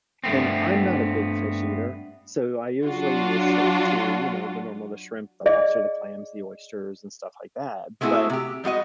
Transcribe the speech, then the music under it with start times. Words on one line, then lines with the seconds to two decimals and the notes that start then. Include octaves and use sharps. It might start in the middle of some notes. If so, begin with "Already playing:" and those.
and I'm not a big fish eater, so, I usually will stick to, you know, the normal the shrimp, the lobster, the clams, the oysters, and, stuff like that, but,
0.24 G2 A3 B3 C4
2.84 F#3 D4 F4 F#4
5.46 G#4 D5 D#5 F5
8.01 G#3 A3 B3 E4 F#4 G#4
8.30 C3 G4
8.64 G3 G#3 F#4 D#5